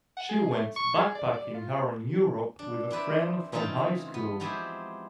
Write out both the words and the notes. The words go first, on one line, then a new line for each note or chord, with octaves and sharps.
She went backpacking around Europe with a friend from high school.
F#5
G#4
A3
C#6
G#4
D5
D5
F4
D4
C4 E4 B4 D5
C#3 E3 A3 C4 D#4 F4
B3
F3 G#3 B3 C4 E4 G4